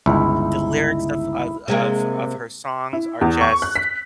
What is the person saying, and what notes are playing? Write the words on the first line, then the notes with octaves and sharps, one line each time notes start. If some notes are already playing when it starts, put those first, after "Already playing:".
the lyrics of of of of her songs are just,
G1 C#2 D#4 E4
C3 G#3 A#3
E4
E2
C#6
F#6
B6